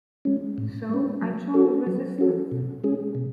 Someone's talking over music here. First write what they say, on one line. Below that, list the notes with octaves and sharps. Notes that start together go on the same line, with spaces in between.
So, I joined the Resistance.
G#3 C#4
A2
G#3 C#4
F#3
C#4 F#4 A4
F#3
C#4 F#4 A4
B2
G#3 C#4 G#4
B2